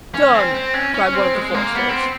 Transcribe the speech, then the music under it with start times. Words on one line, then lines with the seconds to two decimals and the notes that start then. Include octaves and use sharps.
"Done!" cried one of the foresters.
0.14 C#4
0.34 C4
0.54 C4
0.74 C#4
0.94 C#4
1.14 C4
1.35 G#3
1.54 A#3
1.75 B3
1.89 C4